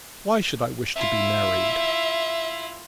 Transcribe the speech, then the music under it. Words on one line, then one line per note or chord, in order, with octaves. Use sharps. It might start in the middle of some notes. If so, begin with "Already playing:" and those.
'Why should I wish to be married?
E4 F4 E5